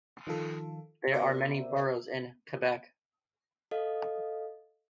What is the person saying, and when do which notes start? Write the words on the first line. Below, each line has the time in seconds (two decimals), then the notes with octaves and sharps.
There are many boroughs in Quebec.
0.27 D#3 F3 F4 A4
1.12 B3 F#4 A#4 C5 D5 E5
3.71 A4 D#5 F5